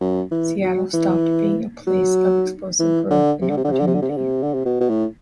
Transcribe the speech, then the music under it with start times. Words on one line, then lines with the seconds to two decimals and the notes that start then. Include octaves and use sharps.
Seattle stopped being a place of explosive growth and opportunity.
0.01 F#2
0.31 E3
0.62 F#3
0.93 E3
1.87 F#3
2.79 E3
3.10 D3
3.41 C3
3.49 D3
3.57 C3
3.64 D3
3.72 C3
3.79 D3
3.87 C3
3.95 D3
4.02 C3
4.10 D3
4.17 C3
4.43 D3
4.54 C3
4.65 B2
4.80 B2
4.89 A2